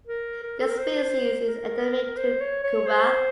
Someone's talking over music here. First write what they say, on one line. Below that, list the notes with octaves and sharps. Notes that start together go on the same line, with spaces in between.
The species is endemic to Cuba.
A#4
A#4
A4
A#4
C5
A#4
A#4
C5
C#5
C#5
C5